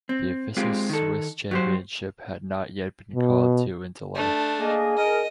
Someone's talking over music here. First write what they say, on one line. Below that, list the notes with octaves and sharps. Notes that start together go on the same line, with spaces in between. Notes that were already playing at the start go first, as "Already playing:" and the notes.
The official Swiss championship had not yet been called to into life.
C4
G#3 C4 F4 G4
D#3 A4
F#3 G4 C5
B2
A3 D4
A#3 G#4 D#5
A#4 D#5